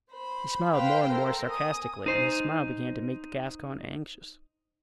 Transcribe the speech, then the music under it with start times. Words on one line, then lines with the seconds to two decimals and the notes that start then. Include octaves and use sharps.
He smiled more and more sarcastically and his smile began to make the Gascon anxious.
0.11 C5 B5
0.73 B4 C5 F5 G5
1.09 A4 A#4 C5
1.48 G#5 D#6
2.06 D#4 C5